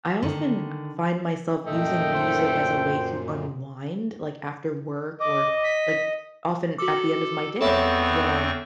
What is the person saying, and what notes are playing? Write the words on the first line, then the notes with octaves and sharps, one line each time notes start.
I often find myself using music as a way to unwind, like, after work or, like, often at the end of my day when I'm
D3 D#3
F#2 A#2 A3 D#5 G5
C5
D#5 D6
B6
F#4 A4 D6
E2 B3 C4 A4 C#5 E5 C#6